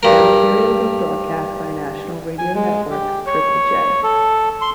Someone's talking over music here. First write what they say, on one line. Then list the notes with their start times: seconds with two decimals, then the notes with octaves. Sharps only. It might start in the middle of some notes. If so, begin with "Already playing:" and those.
Their material was broadcast by national radio network, Triple J.
0.03 G2 A#4
2.39 G#5
2.55 G#3
2.91 G4
3.26 C#5
4.03 A4
4.62 C6